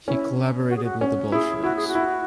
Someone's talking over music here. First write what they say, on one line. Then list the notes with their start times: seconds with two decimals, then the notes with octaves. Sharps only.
He collaborated with the Bolsheviks.
0.07 C#4 E4
0.69 F#4
0.77 G#4
0.84 F#4
1.01 C#4
1.32 E4 G#4
1.63 E4 F#4
1.76 G#4
1.88 F#4
1.95 E4